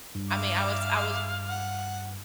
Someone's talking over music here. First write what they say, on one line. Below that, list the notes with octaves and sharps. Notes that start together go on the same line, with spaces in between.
I mean, I was I was
G2
E5 F5 D6
F#5